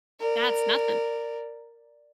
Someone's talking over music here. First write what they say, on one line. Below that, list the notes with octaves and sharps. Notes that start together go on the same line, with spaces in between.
That's nothing.
A#4 D5